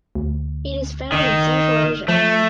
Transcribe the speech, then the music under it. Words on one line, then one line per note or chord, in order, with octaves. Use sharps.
It is found in Central Asia.
D2
F#1 D#3
F3 A3